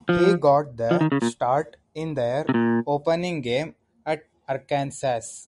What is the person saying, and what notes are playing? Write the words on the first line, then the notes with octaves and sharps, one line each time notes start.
He got the start in their opening game at Arkansas.
F3
F3
D#3
C#3
A#2
C3
A#2